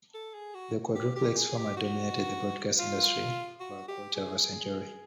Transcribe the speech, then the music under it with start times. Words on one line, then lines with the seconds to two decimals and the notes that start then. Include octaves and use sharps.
The Quadruplex format dominated the broadcast industry for a quarter of a century.
0.14 A4
0.34 G#4
0.54 F#4
0.95 G4
1.16 G4
1.36 G#4
1.57 G4
1.77 F#4
2.79 F4
3.60 F#4
3.88 G4
4.15 G#4